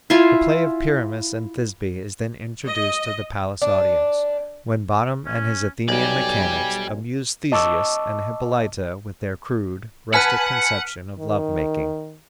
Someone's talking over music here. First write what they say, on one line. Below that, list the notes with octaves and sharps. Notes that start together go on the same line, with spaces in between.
The play of Pyramus and Thisby is then introduced to the palace audience, when Bottom and his Athenian mechanics amuse Theseus and Hippolyta with their crude, rustic conception of love-making.
E4 F4 G#5 C6
D#5
D4
C#4
B1 G4 D5 G#5
D#5 A5 C#6 D6 E6
B4 F#5 G#5 A5 F6 B6 D#7
D#3